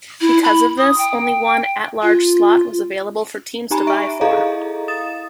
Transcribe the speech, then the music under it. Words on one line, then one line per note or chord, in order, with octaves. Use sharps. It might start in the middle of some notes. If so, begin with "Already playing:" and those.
Because of this, only one at-large slot was available for teams to vie for.
E4
B5
D#6
G5
F4
D#4 G4 G#5 A#5 B5
E5 C#6 D7
E4 G#4 A4 D#5 F5 A#5
D#6 A6 E7